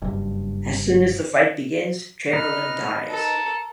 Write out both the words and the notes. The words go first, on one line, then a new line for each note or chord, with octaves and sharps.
As soon as the fight begins, Chamberlain dies.
F#1 G2
D#4 B4 F6
A4 A#4